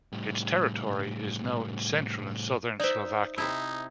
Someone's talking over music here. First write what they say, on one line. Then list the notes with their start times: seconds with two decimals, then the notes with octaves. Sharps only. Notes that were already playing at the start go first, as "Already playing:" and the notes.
Its territory is now in central and southern Slovakia.
0.12 A2 G3
2.80 D#4 C5 D5 E5
3.38 C3 D#4 E4 A5